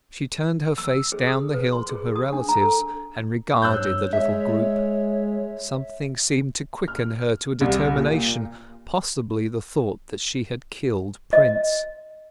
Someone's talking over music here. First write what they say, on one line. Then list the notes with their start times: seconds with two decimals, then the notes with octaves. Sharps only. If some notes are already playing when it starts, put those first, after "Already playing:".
She turned her face down the hill to her relatives, and regarded the little group. Something seemed to quicken her to a determination; possibly the thought that she had killed Prince.
0.78 E6
1.12 G#4
1.27 D#6
1.54 B4
1.72 C6
1.89 G#4
2.16 D#6
2.33 D4
2.49 A#5
2.61 A4
3.62 G2 C#5 E6 F#6 G6
4.13 G#3 E5
6.88 F6
7.61 C2
7.95 A#2
11.33 D#5